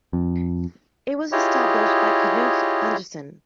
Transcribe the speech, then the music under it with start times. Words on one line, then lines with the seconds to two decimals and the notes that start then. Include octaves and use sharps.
It was established by Canute Anderson.
0.13 F2
1.32 E4 F4 G4 G#4 C#5 D#5